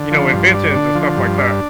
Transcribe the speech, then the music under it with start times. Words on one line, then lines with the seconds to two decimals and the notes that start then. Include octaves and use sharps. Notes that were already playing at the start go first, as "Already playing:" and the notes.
you know, inventions and stuff like that.
Already playing: D3
0.11 F3
0.33 G2
0.54 D4
0.75 D3
0.95 F3
1.17 G2
1.38 D4